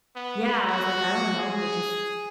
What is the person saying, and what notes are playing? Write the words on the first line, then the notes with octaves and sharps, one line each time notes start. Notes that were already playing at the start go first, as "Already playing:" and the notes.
yeah, I was like, "I don't know, I just
B3
F#4
G#4